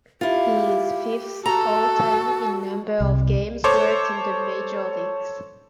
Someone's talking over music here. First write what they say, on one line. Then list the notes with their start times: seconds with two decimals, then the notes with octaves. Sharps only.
He is fifth all time in number of games worked in the Major Leagues.
0.21 E4 F4 G4
1.46 F#4 A4 A#5
3.00 C2
3.64 A4 C5 C#5 D6